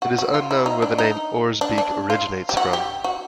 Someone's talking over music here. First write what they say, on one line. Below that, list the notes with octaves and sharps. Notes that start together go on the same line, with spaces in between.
It is unknown where the name Oirsbeek originates from.
F#4
F#4
F4
E4
D#4
D4
D#4
D4
D4
F4
G4
F#4
G4
F#4